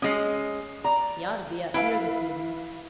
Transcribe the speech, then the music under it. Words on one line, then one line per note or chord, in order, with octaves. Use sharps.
He ought to be up here this evening.
G#3 C#4 D#6 A#6 C7
D5 A#5
E4 B4 E5 F5